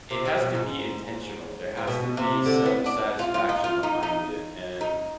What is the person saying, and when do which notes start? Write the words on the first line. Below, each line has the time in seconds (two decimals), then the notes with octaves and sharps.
it has to be intentional, there has to be some satisfaction behind it, and
0.11 C3
0.25 C3
0.41 B2
0.55 G#2
1.77 G#2
1.87 B2
2.17 C3
2.46 D3
2.66 B3
2.86 D4
3.19 F4
3.34 F4
3.49 D#4
3.64 F4
3.83 D#4
4.03 D#4
4.81 D#4